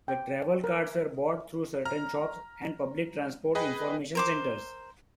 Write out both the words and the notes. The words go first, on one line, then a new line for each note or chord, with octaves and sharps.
The travel cards were bought through certain shops and Public Transport Information Centres.
G5
A#4
A#5 F6
G#4 B4 D#5 G5 B5
A#4 C5 D6